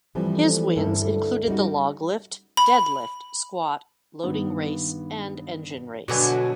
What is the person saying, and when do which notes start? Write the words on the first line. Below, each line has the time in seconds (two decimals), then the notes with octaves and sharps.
His wins included the log lift, deadlift, squat, loading race and engine race.
0.15 E3 F3 G3 A3 C4
0.76 D2 G2 A#3 C#4 E4 A4
1.47 G3 C#4 D#4 F#4
2.57 B5
4.23 G2 D#3 B3
6.08 B2 D3 F#3 F#4 B4 G#5